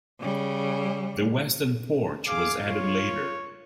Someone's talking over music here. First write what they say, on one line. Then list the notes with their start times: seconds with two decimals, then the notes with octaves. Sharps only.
The western porch was added later.
0.20 C#3 G3
2.27 G#4 F5 D6
2.68 F4 C#5